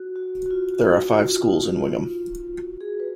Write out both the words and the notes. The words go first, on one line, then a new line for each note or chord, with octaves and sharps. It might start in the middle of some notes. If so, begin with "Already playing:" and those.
There are five schools in Wingham.
Already playing: F#4
F#4
F#4
F4
F#4
D#4
F4
F4
D#4
F4
F#4
G#4
B4